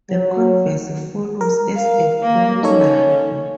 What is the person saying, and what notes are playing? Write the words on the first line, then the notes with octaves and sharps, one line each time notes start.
The converse follows as a corollary.
F#3
A#4
F5
A#3
C#4 D#4 A4 C#5